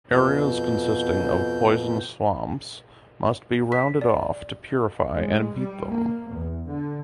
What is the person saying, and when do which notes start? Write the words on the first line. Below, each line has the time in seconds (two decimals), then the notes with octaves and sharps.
Areas consisting of poison swamps must be rounded off to "purify" and beat them.
0.12 F2 B2 G6
3.72 B6
4.01 D5
5.15 G#3
5.55 G3
5.90 A#3
6.32 E2
6.67 D3